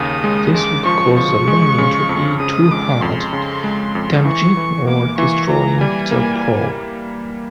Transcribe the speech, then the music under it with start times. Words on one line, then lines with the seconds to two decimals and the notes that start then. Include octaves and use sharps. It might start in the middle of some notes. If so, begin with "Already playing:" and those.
This would cause the landing to be too hard, damaging or destroying the probe.
Already playing: D#2 C#3 D#6
0.24 G#3
0.54 G#3 D6
0.85 F3 C#6
1.16 F3 C#6
1.48 G#3
1.78 C#3
2.09 F2
2.40 C#3 D#6
2.71 G#3 D6
3.01 F2 C6
3.33 C#3
3.64 G#3
3.95 F2
4.25 E3 C#6
4.57 E3
4.87 A#3 D6
5.18 E3 C#6
5.49 E3 A#5
5.81 G3 G#5
6.11 A#3